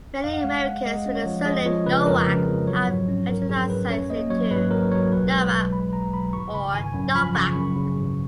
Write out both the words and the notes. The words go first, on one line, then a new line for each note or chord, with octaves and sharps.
Many Americans with the surname Nowak have Anglicized it to Novak or Novack.
F2 F5
F#5
G#3 F5
F#5
G#3
G#3 D#5
C#4
C#5
F3
G#3 D#5
F3 C#5
C#3 B4
F2 A#4
C#3
F2
F#3 C#5
G#2
C#4
G#2 A#4
G#2 G#4
G#2 B4
C#4 C#5
A#3 D#5
F#3 C#5
G#2 B4
F#3 A#4
F#3 C#5
B1 B4
G#3
B1
B1 B5
B1 A#5
B1 B5
G#1 C#6
C#3 B5
G#1 G#5
F#2
F3 B5
C#3 C#6
F#2
C#3
G#1